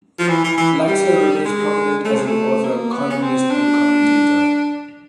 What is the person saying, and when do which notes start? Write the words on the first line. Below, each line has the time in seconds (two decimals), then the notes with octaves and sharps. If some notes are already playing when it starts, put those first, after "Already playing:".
Laxer remains prominent as an author, columnist and commentator.
0.19 F3
0.28 E3
0.44 E3
0.58 E3
0.87 G3
1.45 G#3
2.05 A3
2.15 G#3
2.26 A3
2.64 A#3
2.92 B3
3.10 C#4
3.22 C4
3.50 D4